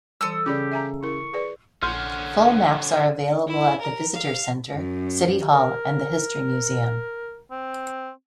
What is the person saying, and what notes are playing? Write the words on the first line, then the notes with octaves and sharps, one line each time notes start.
Full maps are available at the visitor center, city hall, and the history museum.
E3 G3 A4 D#6 E6
C#3 G4 D5 B5 D6
E5 G#5 A#5
E4 A#4 C#6
G#4 B4 D5
A#1 D3 C#4 F#5 C6 F6 G6
E4
A#4
F5
F#2
A#4
C4